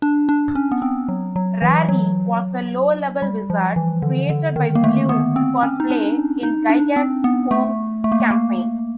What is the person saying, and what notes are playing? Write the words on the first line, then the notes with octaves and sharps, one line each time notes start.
Rary was a low-level wizard created by Blume for play in Gygax's home campaign.
D4
D4
C#4
B3
C4
F#3
F#3
E3
F#3
G3
F3
E3
D3
D3
D#3
A#3
A3
B3
C4
C#4
D#4
D4
D#4
D4
C4
B3
A3
A3
A#3
A3
A#3